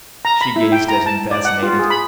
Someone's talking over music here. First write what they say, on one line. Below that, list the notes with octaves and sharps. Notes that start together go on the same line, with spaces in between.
She gazed at him fascinated.
A#5
B5
E4
G5
A#5
A5
D5
F#5
F4
G#4
B5